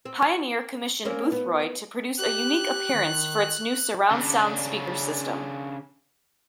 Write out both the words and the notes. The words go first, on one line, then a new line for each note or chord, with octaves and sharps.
Pioneer commissioned Boothroyd to produce a unique appearance for its new surround-sound speaker system.
C4
A#3 C4 C#4
B3
G4 F#6
D#3
C#3 D4